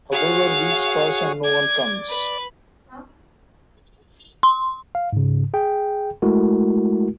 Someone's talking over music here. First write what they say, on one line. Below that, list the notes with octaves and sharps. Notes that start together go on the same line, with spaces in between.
However, weeks pass and no one comes.
F#4 G#4 C#5 F5
D5 G#6
B4
C6
F5
G#2 C#3
G#4 G5
G#3 A3 E4 F#4 A#4